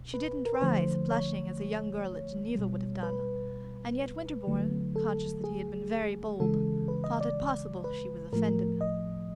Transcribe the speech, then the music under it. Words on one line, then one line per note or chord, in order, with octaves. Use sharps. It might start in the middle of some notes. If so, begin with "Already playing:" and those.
She didn't rise, blushing, as a young girl at Geneva would have done; and yet Winterbourne, conscious that he had been very bold, thought it possible she was offended.
Already playing: B2
B4
A#4
B4
D3 F3 A3 C5
C#5
B2 G3
B4
D3 F#3 A3
A4
G#4
C#3 E3 G#3 A4
B4
D#5
D5
B4
A2 F3 A3 A#4
D#5